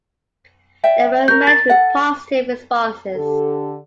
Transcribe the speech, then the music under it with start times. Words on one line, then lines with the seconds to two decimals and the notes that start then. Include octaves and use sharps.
They were met with positive responses.
0.84 D5 E5 G5
1.28 C#4 A#4 G6
1.47 A6
1.69 A4 F#5
3.13 D3 G4 A4